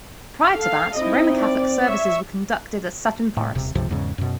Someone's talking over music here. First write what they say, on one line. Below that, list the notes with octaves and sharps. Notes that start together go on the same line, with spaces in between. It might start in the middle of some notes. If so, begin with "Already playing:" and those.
Prior to that, Roman Catholic services were conducted at Sutton Forest.
A4 F5
C4 D#4 E4 D#5
D5
C#5 E5
A2
D#1 C3
C#2 G2 C3 F3
E2 G#2 C#3
F#2 B2